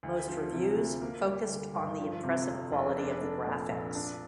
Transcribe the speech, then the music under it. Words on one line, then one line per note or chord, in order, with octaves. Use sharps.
Most reviews focused on the impressive quality of the graphics.
D2
F3
C3
D2
A#3
G3
D3
G2
F3
C3
F2
F1
D4
A3
A#2
A#1
D4